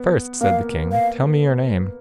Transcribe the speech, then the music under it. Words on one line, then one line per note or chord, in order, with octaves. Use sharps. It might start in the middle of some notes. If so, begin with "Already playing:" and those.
First, said the king, tell me your name.
Already playing: B3
A#3 F5
F5